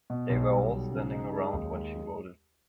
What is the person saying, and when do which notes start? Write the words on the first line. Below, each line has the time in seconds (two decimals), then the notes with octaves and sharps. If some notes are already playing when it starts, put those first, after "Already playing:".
They were all standing around when she wrote it.
0.10 B2
0.30 B1
0.50 G3
0.71 B1
0.92 C#3
1.12 D#4
1.33 G#3
1.53 D#2
1.74 G#3